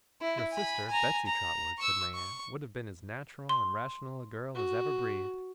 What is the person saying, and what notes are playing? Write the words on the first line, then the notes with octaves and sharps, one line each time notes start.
'Your sister, Betsey Trotwood,' said my aunt, 'would have been as natural and rational a girl as ever breathed.
E4
G#5 B5
G#5 A#5
A#5
C#6 E6
C#6
C6
F#4